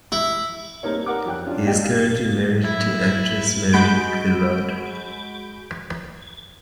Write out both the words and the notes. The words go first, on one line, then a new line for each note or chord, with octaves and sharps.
He is currently married to actress Marie Guillard.
E4
G3 A#3 C4 D#4 A#4 C#5
A#4 F#5 D6
F2 F#3 G5 F#6
C#4 D4 F4
G2 A#2 F#3 G4 D#5 G5
F5
F#2 A2
E4
G#3 F#4 B5 G6 D7